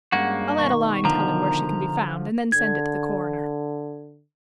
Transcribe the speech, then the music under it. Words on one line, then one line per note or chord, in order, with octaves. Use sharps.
I'll add a line telling where she can be found and then send it to the coroner.
G2 G#3 A#3 C#4 F#4 F#5
B2 D#3 C#6
D3 F3 A#5
D3 G#6